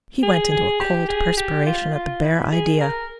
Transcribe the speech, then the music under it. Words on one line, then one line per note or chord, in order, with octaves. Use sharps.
He went into a cold perspiration at the bare idea.
G#4
G#4
G4
G#4
G4
F4
F4
E4
G#4
A#4